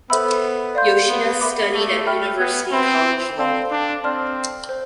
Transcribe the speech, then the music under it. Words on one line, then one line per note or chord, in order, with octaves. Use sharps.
Yoshida studied at University College London.
B3 A4 C5 E5 B5 E6
D5 F5 C6 G6
B3
E5 B5 D6
A3
E5 G5 B5 F6
B3
C4 B4 E5 B5
C4 A4 D5 F5 A5
D4
C4 D5 A5 C6 F6
C5